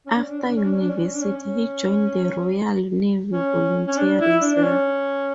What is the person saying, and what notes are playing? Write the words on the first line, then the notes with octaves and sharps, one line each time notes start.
After university he joined the Royal Navy Volunteer Reserve.
C#4
D4
C#4
D4
C#4
D4
C#4
D4
C#4
D4
C#4
D4
C#4
D4
C#4
C#4
C#4
C#4
D4
E4
D4
D4
C#4